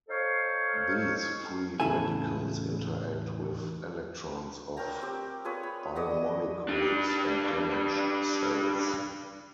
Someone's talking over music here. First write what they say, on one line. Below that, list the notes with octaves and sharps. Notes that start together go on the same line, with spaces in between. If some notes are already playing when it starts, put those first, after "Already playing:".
These free radicals interact with electrons of biomolecules and damage cells.
D#4 A4 C5 C#5 F5
E2 A2 C#3 E4 A4 G#5
A#4 C#5 G5 A#5
C4 G4
F4 G#4 B4 C#5
B5
D5 D#5 F#5
G3 D4